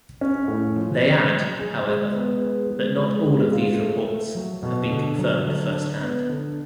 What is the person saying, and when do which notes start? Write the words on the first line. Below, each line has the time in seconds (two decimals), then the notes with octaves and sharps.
They add however that not all of these reports have been confirmed first hand.
0.21 C#4
0.48 A2
0.76 F3
1.04 C#4
1.31 F#3
1.59 G#4
1.87 G#3
2.14 B3
2.42 B4
2.70 G#3
2.97 G#3
3.25 G#3
3.53 F4
3.80 A3
4.08 A3
4.35 F#3
4.63 B2
4.91 D3
5.18 F#3
5.46 D3
5.73 D4
6.01 B3
6.29 D3